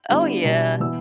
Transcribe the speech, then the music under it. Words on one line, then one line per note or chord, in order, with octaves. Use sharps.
Oh, yeah.
D3 G3 B3 E4
B2 G3 D4
E3 B3 E4 E6